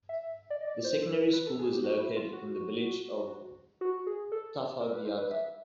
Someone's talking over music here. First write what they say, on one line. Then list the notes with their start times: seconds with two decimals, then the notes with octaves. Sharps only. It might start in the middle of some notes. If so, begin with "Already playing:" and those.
The Secondary School is located in the Village of Tafaigata.
0.09 E5
0.50 D5
0.61 D#5
0.67 D5
0.84 C5
1.03 A4
1.09 A#4
1.33 B4
1.47 A4
1.59 G#4
1.71 G4
1.84 F#4
2.00 E4
2.16 F4
2.33 F#4
3.81 F#4
4.07 G#4
4.32 A4
4.81 A#4
4.92 B4
5.05 C5
5.18 B4
5.31 E5